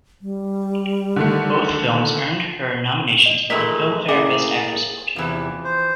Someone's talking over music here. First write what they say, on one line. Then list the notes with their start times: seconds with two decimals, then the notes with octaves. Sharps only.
Both films earned her nominations for the Filmfare Best Actress Award.
0.22 G3
1.16 D3 D#3 A3
3.26 D#5
3.50 A#2 D#3 E3 G#3 A3 D#5 B6
4.08 A2 A#3 C#4 G#4 E5 D6
4.58 A6
5.16 E2 C3 E3 F3
5.64 C5